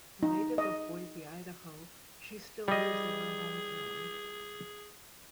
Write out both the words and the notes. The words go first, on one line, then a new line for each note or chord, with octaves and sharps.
A native of Boise, Idaho, she still lives in her hometown.
D#4
D#5
G3 G#4 D#5